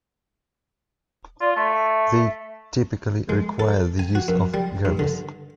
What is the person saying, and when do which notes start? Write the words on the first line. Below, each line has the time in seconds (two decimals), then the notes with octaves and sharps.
They typically require the use of gerbes.
1.41 F4 D5
1.56 A3 E5
3.29 G#3
3.60 A4
3.99 G#5
4.15 F#4
4.28 F#2
4.54 G3
4.85 G2
4.99 D3